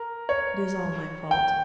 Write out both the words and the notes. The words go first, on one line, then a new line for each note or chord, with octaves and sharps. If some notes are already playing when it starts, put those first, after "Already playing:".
It is all my fault.
Already playing: A#4
C#5
G5